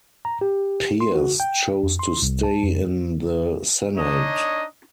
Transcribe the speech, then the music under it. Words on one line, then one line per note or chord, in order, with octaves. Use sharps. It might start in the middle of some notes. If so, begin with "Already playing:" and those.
Pearce chose to stay in the Senate.
A#5
G4
C6
F#4
G5
F2
C6
C2
A5
F2
D4 D#4 C#5 D#5